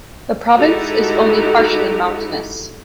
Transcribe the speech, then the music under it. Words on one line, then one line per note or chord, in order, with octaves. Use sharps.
The province is only partially mountainous.
G#3 D#4 E4 F#4 G4 A4